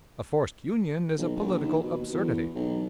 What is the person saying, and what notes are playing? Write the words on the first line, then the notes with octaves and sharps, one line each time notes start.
A forced union is a political absurdity.
B1
A#1
D#2
B2
E2
B1